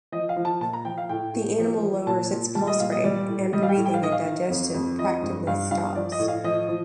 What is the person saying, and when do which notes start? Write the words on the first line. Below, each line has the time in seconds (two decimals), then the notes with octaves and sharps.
The animal lowers its pulse rate and breathing, and digestion practically stops.
0.12 F3 D#5
0.29 F5
0.36 F3
0.45 A5
0.61 A#2 A5
0.73 A#5
0.85 F3 G5
0.98 F5
1.09 A2 G5
1.34 A2
1.58 F3
1.83 F3
2.07 A#2 A5
2.31 A#2
2.55 G3 A5
2.67 D#5
2.80 A#2 F5
2.92 D#5
3.04 G3 D5
3.28 A2
3.53 G3 D#5
3.63 F5
3.69 G5
3.76 A2
3.86 G5
3.94 F5
4.02 D#3 D#5
4.12 F5
4.25 D#3
4.50 F2
4.74 F2
4.98 F3 D#5
5.23 G2
5.47 G2 F5
5.71 G2 F5
5.95 F3 D5
6.12 D#5
6.19 A2
6.28 F5
6.44 F3 D#5
6.69 F3